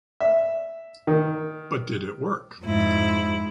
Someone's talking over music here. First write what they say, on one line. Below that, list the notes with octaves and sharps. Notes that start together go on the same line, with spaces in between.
But did it work?
E5
D#3
F2 G#2 E4